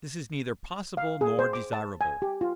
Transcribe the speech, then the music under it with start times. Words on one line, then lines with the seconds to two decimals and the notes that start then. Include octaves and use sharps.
This is neither possible nor desirable.
0.97 F5
1.21 G#4
1.39 C5
1.53 D6
1.73 A5
2.01 G#5
2.22 G4
2.41 F4